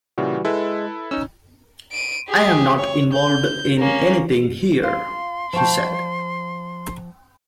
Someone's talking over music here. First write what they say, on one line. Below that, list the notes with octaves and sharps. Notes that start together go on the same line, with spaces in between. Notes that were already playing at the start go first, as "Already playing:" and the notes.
"I am not involved in anything here," he said.
A#2 C#3 E3 G3 F#4
G#3 E4 A4 B4
C#4 D#4 E6
D7 D#7
G4 G#4
C#5
G6
A#3 C#4
F4 C6
F3 F5 G5 A5 C#6 G6